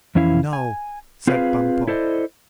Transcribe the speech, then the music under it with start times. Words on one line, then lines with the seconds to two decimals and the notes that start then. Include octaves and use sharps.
"No," said Bumpo.
0.15 F2 E3 C#4 E4 F5
0.53 G#5
1.27 C4 F4 G#4 B4 D#5 F5
1.88 E4 A4 C5 D5 D#5